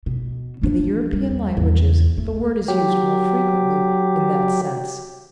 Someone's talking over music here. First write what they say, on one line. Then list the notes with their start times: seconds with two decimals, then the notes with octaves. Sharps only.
In the European languages the word is used more frequently in that sense.
0.06 B2
0.61 E3 D4
1.10 E2 G3
1.57 E2 G#2
2.18 A3
2.68 F#3 G4